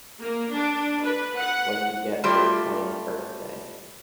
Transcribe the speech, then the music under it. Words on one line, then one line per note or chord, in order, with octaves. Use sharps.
What did you get for your twentieth birthday?
A#3
D4
B4
F#5
G3 A3 F4 G4